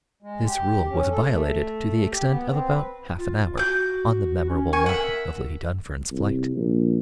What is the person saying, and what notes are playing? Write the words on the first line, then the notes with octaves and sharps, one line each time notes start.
This rule was violated to the extent of about half an hour on the memorable morning of Lady Dunfern's flight.
G#3
G4
C#4
A4
A3
G4
B3
C4
B4
F4
F#4 D6 G6
C#4
A#4 G#5 C#6
E5 F#5
C2
A#1